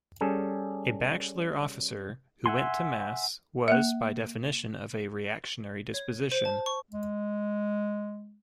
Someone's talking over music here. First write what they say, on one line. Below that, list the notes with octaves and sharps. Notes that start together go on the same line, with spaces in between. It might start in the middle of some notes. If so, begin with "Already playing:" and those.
A bachelor officer who went to Mass was by definition of a reactionary disposition.
G3 C#4 G#4 A4
E5 F#5 G#5 C6
A#3 E5
C#5
C5
A5
C#6
G#3